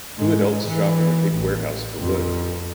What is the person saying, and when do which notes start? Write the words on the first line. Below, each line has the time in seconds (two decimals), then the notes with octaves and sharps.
Two adults shop in a big warehouse for wood.
0.17 G#2
0.67 E3
1.33 A1
1.99 F2